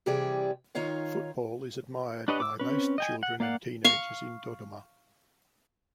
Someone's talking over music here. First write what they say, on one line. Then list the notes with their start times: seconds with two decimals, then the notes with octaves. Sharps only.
Football is admired by most children and teenagers in Dodoma.
0.06 C3 E3 G3 G4 G#4 D5
0.75 D#3 D#4 F4 C#5 F5
2.28 D4 G4 B4 C#5 D#5
2.40 D6 E6
2.60 C4 C#4 B4
2.98 D#5 G5 G#5
3.23 F#5
3.40 A#3 D5 F5 F#5
3.84 F5 C#6